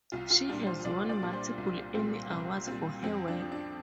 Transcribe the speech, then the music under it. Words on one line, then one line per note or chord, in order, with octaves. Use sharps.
She has won multiple Emmy Awards for her work.
C2 F4
F4
A#2 G3 D4
C5
C2 D5
D5
A#2 G3
C5
C2
A#2 G3 C4
C2 C4
A#2 G3 C4
F2 C4
D4
F3
D4